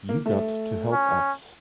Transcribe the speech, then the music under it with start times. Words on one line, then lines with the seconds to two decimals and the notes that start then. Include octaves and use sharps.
You got to help us.
0.09 A#3
0.26 A3
0.92 C#4